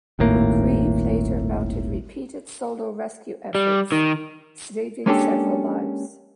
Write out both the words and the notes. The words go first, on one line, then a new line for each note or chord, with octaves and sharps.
Boukreev later mounted repeated solo rescue efforts, saving several lives.
D#1 G#1 A2 A#3
G3
D#3
G#3 A#3 C#4 D4 G4 A4